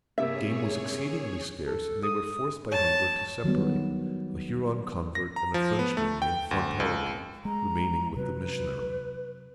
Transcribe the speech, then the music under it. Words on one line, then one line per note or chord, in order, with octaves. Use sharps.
Game was exceedingly scarce, and they were forced by hunger to separate, a Huron convert and a Frenchman named Fontarabie remaining with the missionary.
G2 C3 A#3 G#4 C#5 E5
A4
D#6
C#5 A5
D#3 F#3 G3 B3
A#6
A#5
F3
B3
A3
G5
D2
C#2
G#3 A#5
C3 F#3 B4